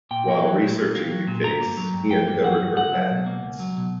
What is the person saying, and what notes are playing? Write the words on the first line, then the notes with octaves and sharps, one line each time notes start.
While researching the case, he uncovered her patents.
A#2 G5
A#3
F#3
A#2
A#2
A#3
F#3
A#2
G2 A#5
A#3
F#3
G2
G2 G5
A#3
F#3 F#5
G2
C#2 F#5
F#3
B2
A#3
C#2
F#3
B2